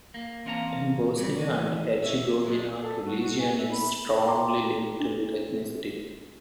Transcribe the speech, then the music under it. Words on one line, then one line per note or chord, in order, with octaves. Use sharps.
In Bosnia and Herzegovina religion is strongly linked to ethnicity.
A#3
E2 C4 C#4 F5 A5 A#5
G2 C#3 G3 C4
D#2 D#3 E3 G3 G#3
B2 C#4 E5
F#3 G#3 A3
A4
F#4
F#4
G#5
E5
B5
G5 A#5 C6 D6
D4